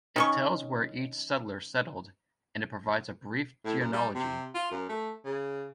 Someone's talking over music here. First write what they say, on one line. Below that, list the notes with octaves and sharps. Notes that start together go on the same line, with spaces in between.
It tells where each settler settled, and it provides a brief genealogy.
D#3 C#4 C#6
A2
F#2
G3
C3
F4
F#2
A3
C#3